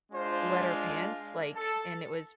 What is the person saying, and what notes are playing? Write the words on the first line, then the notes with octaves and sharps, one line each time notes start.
wet her pants, like, and it was
G#3 D4 F4 C5
A4